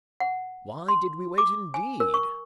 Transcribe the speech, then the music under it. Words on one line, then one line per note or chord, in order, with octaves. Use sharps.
Why did we wait, indeed?
F#5
C6
D6
G#5
A#4
C#6